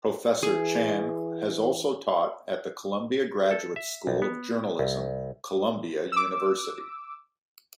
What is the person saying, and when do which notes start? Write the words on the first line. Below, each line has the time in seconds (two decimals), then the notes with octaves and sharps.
Professor Chan has also taught at the Columbia Graduate School of Journalism, Columbia University.
0.43 E3 G#4
3.51 A4
3.76 E5
4.07 B1
4.22 B3
4.79 C2
6.12 D6 E6